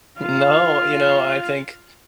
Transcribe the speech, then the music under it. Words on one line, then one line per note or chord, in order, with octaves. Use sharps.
N no, you know, I think
F4 F5